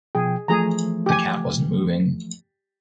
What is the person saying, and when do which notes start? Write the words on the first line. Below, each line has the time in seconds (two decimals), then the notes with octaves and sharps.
The cat wasn’t moving.
0.15 B2 F3 G#4 G5
0.48 E3 F3 A3 G#4 A#5
1.06 G4 G#5